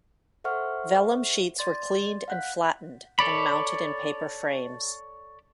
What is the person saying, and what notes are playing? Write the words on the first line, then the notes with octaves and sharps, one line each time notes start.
Vellum sheets were cleaned and flattened and mounted in paper frames.
A4 C5 E5 F#5 C#6 F6
D5 C6 A6
F5 F#5 F#6 G6 B6
A4 C#5 D5 B5